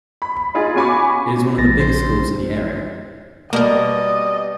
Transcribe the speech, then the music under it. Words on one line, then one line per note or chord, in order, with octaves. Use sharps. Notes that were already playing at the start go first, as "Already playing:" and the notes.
It is one of the bigger schools in the area.
B5
D#4 F4 G#4
C#4 F#4 G#5 B5 C#6 D6
A#1 A6 A#6
C5
B2 G3 A#3 A#4 D5 D#5